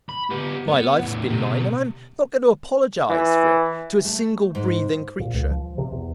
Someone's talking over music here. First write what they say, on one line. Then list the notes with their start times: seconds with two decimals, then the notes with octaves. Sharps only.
My life's been mine, and I'm not going to apologise for it to a single breathing creature.
0.09 B5
0.31 B3 G4
0.69 B3
1.00 E2 A2
1.28 B2 G4
3.10 E3
4.05 A3
4.55 G#2
5.20 A#2
5.34 C#2
5.51 F3
5.78 C3
5.91 E2